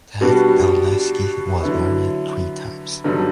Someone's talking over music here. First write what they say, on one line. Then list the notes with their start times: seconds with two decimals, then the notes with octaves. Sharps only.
Tad Danielewski was married three times.
0.21 B2 G3 B3 D4 F#4
1.63 D3 F#3 B3 E4
3.04 G2 D3 F#3 B3 D#4